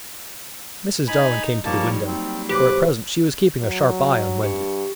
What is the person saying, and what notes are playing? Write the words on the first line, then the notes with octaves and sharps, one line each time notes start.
Mrs. Darling came to the window, for at present she was keeping a sharp eye on Wendy.
D#4 G#5 B5
F3 G3 A#3 D#4 C#5 A5
F#3 G3 A#3 C4
B1 G4 B4 C5 D6 F#6
F#3
G2 G4